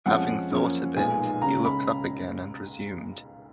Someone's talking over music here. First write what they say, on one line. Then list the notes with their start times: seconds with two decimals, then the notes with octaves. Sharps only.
Having thought a bit, he looked up again and resumed.
0.06 F2 F3 G#3 C#4 F#5
0.51 F#2 F3 A#3 C#4
0.96 B1 A#2 G#3 B3 D#4 G#5
1.41 C#2 C#3 G#3 C#4 A#5
1.65 B5